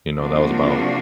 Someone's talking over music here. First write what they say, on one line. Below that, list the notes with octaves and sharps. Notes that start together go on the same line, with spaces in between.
you know, that was about
C3 F3 A#3 D4 F#4